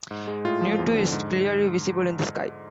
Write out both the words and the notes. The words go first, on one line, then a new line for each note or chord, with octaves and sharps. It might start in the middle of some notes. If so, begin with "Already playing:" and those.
Ne'tu is clearly visible in the sky.
G#2
G#3
A2 F4
F3
E2
D3
G#2